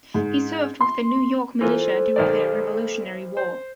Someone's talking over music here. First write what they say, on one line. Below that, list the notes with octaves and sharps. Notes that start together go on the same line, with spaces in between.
He served with the New York Militia during the Revolutionary War.
G#2
C6
E3 F4 A4 A#4 C5
B1 D#3 D5
C5